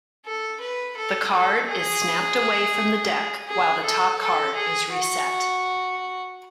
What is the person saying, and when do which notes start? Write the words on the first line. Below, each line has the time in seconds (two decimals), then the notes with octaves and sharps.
The card is snapped away from the deck while the top card is reset.
0.25 A4
0.60 B4
0.97 A4
1.32 A4
1.68 G#4
3.48 G#4
3.83 A4
4.19 A4
4.55 G#4
4.91 F#4